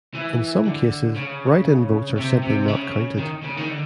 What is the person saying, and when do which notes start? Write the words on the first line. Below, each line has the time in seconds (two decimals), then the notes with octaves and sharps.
In some cases, write-in votes are simply not counted.
0.15 E3
0.66 D3
1.16 C#3
2.18 C3
2.43 C3
2.68 C#3
3.19 D#3
3.44 C#3
3.57 D#3
3.69 D3